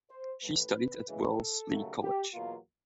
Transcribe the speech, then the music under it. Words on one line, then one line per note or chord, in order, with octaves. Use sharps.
She studied at Wellesley College.
C5
A1 A2 E3 A3 B4
D2 C#3 E3 G#3
A4
D#2 C#3 F#3 A3
G4
E2 B2 F#3 A#3 F4